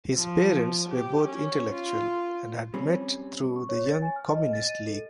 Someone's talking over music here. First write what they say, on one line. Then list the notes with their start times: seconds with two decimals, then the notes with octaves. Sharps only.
His parents were both intellectual and had met through the Young Communist League.
0.17 F3
0.90 G4
1.28 C#4
1.73 F4
2.74 G3 C4 C#4
3.56 C#6
3.69 C#5
3.86 A6
4.02 G#5
4.16 F6
4.34 D#5
4.53 A6
4.69 D#7
4.87 A4